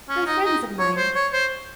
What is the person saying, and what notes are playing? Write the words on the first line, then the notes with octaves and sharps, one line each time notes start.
They're friends of mine.
C#4
D#4
D#4
C#5
C5
C#5
C5